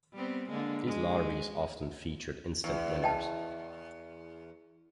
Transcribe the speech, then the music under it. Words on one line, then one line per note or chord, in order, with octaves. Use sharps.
These lotteries often featured instant winners.
G3 B3 C4
D3 G#3 A#3
G#3
E2
D#5 G5 A5